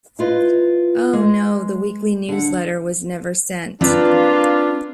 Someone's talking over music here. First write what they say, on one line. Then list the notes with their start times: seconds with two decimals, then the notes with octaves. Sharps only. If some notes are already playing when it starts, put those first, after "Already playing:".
Oh no, the weekly newsletter was never sent!
0.19 E4 F4 B4 D#5
1.13 G#3
2.28 D3 F#5
3.81 A#3 C4 D4 F4 B4 D5